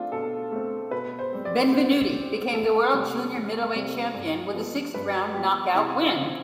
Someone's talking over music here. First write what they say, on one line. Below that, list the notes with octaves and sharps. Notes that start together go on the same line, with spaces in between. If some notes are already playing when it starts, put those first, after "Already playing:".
Benvenuti became the world junior middleweight champion with a sixth-round knockout win.
Already playing: A3 C4 D4 F4
B2 A4
A3 C4
B2 B4
C5
G3 C4
D5
B2 C5
G3 C4
E2 A4
C3 G3 C4
E2
C3 G3 C4
G2
F3 B3
G2 B4
F3 B3 G4
C3 E4
F4
F3 C4